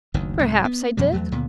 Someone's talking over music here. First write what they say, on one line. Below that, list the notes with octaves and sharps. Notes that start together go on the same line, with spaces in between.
"Perhaps I did."
F#1 D2 D#3
C2 G#2
B3
F2 B2 F3 G3
E2 F#3 A3
C#2 A#2 D3 B3